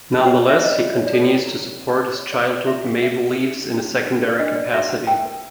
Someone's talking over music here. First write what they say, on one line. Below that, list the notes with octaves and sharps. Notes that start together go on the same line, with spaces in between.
Nonetheless, he continues to support his childhood Maple Leafs in a secondary capacity.
G5
C#5 F#5
A4
E5
C#5 D#5
D5
F4
C#5
D5
A4
C#5
E4
E4
A#4
G4
G4
C#5
C#5 D5
A#4 D5
F4 E5
F4 F5
G#4 E5
G#4
D#4
D#4
D4
F#4
D4
B4
D5
D4 D#5
A#4 D5
F#4 E5
F#4 F#5
A#4 G5
A#4